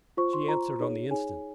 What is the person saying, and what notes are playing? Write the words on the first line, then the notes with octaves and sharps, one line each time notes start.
She answered on the instant.
F4 C5 C#6
C6
F4 C5 A#5
D#4 G#4 C#5
D#4 G#4 C#5 G#5